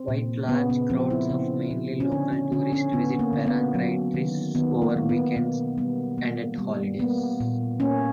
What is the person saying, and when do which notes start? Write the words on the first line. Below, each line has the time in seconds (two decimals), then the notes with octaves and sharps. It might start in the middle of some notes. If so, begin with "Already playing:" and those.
Quite large crowds of mainly local tourists visit Parangtritis over weekends and at holidays.
Already playing: C4
0.08 A#2
0.49 C#3 B3
0.70 B3
0.90 F3 C4
1.10 E4
1.31 C#3
1.71 F3
2.00 C#4
2.12 D3 D4
2.32 C#4
2.52 D3 C#4
2.73 C#4
2.93 D3 B3
3.19 A#3
3.33 D3
3.46 B3
3.74 F#3
4.14 D#3
4.55 D#3 B3
4.82 A#3
4.96 D#3
5.09 B3
5.37 B2 B3
5.78 G3 B3
6.18 A#3
6.58 G3
6.99 A#3 B3
7.40 A#2
7.80 A#3 C#4